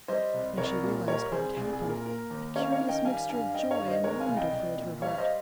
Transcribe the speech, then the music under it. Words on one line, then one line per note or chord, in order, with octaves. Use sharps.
When she realised what had happened, a curious mixture of joy and wonder filled her heart.
G3 C5 D#5
C2
C2 A#4 C#5
A#2
G3 A#4 C#5
C2 G#4 C5
C2 G#4
G#4
A#2
A#4
A#3 A#4
D#2
C#4 C#5 F5
C#5 F5
D#3
D#5 G5
G3 F5 G#5
G2 F5 G#5
G2 D#5 G5
C#5 F5
D#3
C5 D#5
G#3 A#4 C#5
F5 G#5
C2
D#5 G5
C2
A#2
G3 C#5 F5
F5
C5 D#5